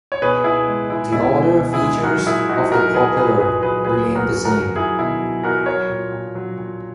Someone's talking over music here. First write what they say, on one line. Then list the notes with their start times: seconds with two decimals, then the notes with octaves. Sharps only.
The other features of the propeller remain the same.
0.12 C#5
0.22 B2 G#4 B4
0.44 B2 E4 G#4
0.68 G#3
0.90 G#3 E4
1.12 B2 E4
1.35 B2
1.58 B2
1.73 E4 G#4
1.81 G#3
2.03 F#3 F#4 A#4
2.26 A#2 E4 G#4
2.49 A#2 D#4 F#4
2.72 F#3 F#4 A#4
2.94 A#2 G#4 B4
3.16 A#2 G#4 B4
3.39 A#2 G#4 B4
3.62 F#3 G#4 B4
3.84 F#3 G#4 B4
4.07 F#3
4.15 F#4 A#4
4.30 F#3
4.45 F#4 A#4
4.53 F#3
4.76 F#3 E4 G#4
4.99 B2 E4
5.21 F#3
5.43 B2 F#4 A#4
5.66 F#3 A#4 C#5
5.89 A#2
6.12 A#2
6.35 F#3
6.57 A#2